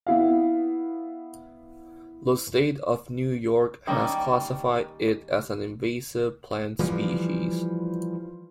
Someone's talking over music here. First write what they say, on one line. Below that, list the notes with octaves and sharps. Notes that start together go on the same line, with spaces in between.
The State of New York has classified it as an invasive plant species.
B3 E4 F5
D#3 G3 A#3 C#4
E3 F3 G3